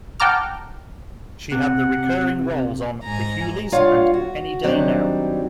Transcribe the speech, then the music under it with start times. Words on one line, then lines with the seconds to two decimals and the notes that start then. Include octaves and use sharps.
She had the recurring roles on "The Hughleys" and "Any Day Now".
0.20 F#5 G5 A5 A#5 D6 F6
1.52 C3 F#5
3.03 G#2 G#5 A#5
3.72 G2 F4 C#5 F5 F#5
4.14 F#4
4.63 F#2 D#3 F#3 G3 C4 D4